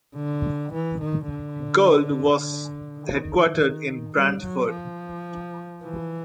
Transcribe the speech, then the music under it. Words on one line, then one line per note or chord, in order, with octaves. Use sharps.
Gould was headquartered in Brantford.
D3
E3
D#3
D3
D#3
G3
F#3
F3
E3